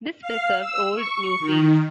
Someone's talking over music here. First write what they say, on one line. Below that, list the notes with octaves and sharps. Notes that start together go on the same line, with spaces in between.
This preserved old Newfields.
F5
E6
C#6
D#3